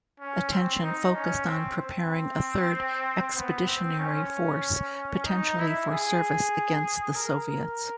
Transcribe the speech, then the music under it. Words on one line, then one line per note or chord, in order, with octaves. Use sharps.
Attention focused on preparing a third Expeditionary Force potentially for service against the Soviets.
C#4
C4
D#4
C#4
C4
C4
B3
C4
C#4
D#4
E4
G#4
A#4